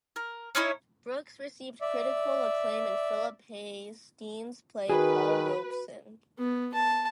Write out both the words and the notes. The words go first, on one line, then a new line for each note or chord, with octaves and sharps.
Brooks received critical acclaim in Phillip Hayes Dean's play "Paul Robeson".
A#4
C#4 D#4 E4 C#5
D5 E5
D#3 F#4 G#4 B4
B3
A5